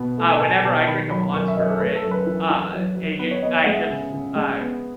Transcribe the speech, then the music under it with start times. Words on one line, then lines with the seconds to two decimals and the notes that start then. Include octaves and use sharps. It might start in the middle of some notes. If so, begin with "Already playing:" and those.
Uh, whenever I drink a Monster it, uh, it, you I just, uh,
Already playing: B2 B3
0.18 A3
0.30 A5
0.40 B2 G#5
0.64 B2 A5
0.87 D#3 B5
1.10 F#3 B5
1.34 F#2 C#6
1.48 E5
1.57 F#2 D#5
1.70 A4
1.80 A3 B4
1.95 A4
2.03 F#2
2.11 B4
2.26 E3
2.50 E3
2.73 F#3
2.96 F#3
3.19 B3 B4
3.31 C#5
3.42 B3 D#5
3.54 E5
3.64 G#3 F#5
3.73 E5
3.90 C#3
4.12 C#3
4.35 G#3
4.59 B3